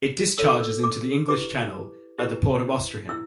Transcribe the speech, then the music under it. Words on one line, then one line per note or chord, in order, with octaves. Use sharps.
It discharges into the English Channel at the port of Ouistreham.
E4 A4 C#5 E6
D6
E6
D6
E4 G4 B4 D6
E4 G4 B4
E4 E6